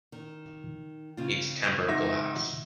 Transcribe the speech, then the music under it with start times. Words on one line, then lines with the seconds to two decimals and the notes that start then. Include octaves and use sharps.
It's tempered glass.
0.12 D#3
1.17 C#3 C4 F4
1.88 G#2 E5 A#6